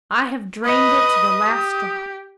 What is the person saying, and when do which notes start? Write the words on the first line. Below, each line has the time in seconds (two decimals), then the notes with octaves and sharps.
I have drained it to the last drop.
0.64 B4 D#5 D#6
1.47 G4